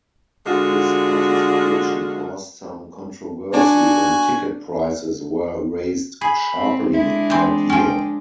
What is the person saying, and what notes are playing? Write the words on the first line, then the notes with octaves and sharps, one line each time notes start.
His participation caused some controversy when ticket prices were raised sharply that year.
D3 G#3 F4 F#4
D4 F#4 G#5
G#4 B5
C4
G#3 D4 E4
E3 C4
F3 C#4 G5